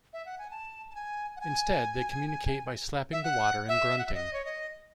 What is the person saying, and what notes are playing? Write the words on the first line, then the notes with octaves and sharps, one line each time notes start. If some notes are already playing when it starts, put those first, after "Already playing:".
Instead, they communicate by slapping the water and grunting.
E5
F#5
G#5
A5
A5
G#5
F#5
G#5
E5
F#5
E5
F#5
E5
D#5
C#5
D#5